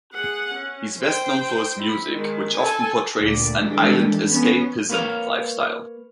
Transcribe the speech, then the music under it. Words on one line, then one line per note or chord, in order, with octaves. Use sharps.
He is best known for his music, which often portrays an "island escapism" lifestyle.
G#4 F#5
C#4
C5 G5
E4
D#3 G#3
A4 G#5
D2 A#2 A3 D5
D#3 E3 G3 G#3 D4 A4
B3 C#4
A#3 B4 C#5 F5